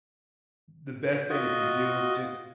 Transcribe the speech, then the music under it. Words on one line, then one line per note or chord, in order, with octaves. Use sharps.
the best thing if you do just
F4 F#4 D#5